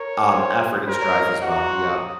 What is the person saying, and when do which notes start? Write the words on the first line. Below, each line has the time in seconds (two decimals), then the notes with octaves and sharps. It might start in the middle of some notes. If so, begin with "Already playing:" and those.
um, effort and strife as well. Yep.
Already playing: A#4 C#5
0.34 C5
0.88 A#4 C5
1.02 C#5
1.15 D#5
1.29 F5
1.42 F#4 F#5
1.56 A#5
1.69 C6
1.82 C#6
1.96 D#6